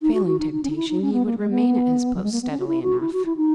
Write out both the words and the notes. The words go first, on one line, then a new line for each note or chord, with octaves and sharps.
Failing temptation, he would remain at his post steadily enough.
D#4
F#4
F#4
D#4
D#4
C#4
D#4
E4
D#4
C#4
B3
A#3
G#3
B3
F#3
G#3
A#3
B3
C#4
F#4
E4
F#4
E4
F#4
E4
D#4